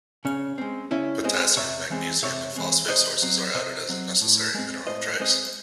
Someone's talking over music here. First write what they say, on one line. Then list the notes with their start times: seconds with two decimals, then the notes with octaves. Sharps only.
Potassium, magnesium and phosphate sources are added as a necessary mineral trace.
0.25 C#3 C#4
0.58 G#3 C4
0.91 C#3 C#4 E4
1.24 G#3 C4 C5 D#5
1.57 C3 C#5 E5
1.90 E3 G#3 C4
2.23 C3 C#5 E5
2.56 E3 G#3 C4
2.89 C3 C5 D#5
3.22 F#3 C4
3.55 C3 C5 D#5
3.89 F#3 C4
4.21 A2
4.54 G#3 C4
4.87 A2 C5 D#5
5.20 G#3 C4 C5 D#5